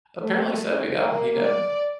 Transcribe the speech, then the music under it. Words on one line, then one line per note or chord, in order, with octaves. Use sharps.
Apparently so, yeah, you know,
A3
A#3
D5